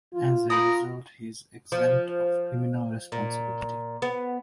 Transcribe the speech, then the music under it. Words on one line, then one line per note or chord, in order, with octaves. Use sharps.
As a result, he's exempt of criminal responsibility.
F4
F4 A#4 B5 D#6
F3
A#2
B3